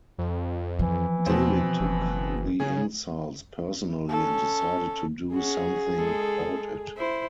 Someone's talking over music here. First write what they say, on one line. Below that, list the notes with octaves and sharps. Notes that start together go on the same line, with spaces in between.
David took the insults personally and decided to do something about it.
F2
E3 F3
E2 B2 C4
F#1
C#3 G#4
C#4 A4
C#4 F#4 G#4
G#3 A4
E4 C5